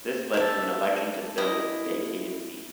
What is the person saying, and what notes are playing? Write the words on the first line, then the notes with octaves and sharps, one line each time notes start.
This led to an election to fill his vacated seat.
E5 A5
E4 D#5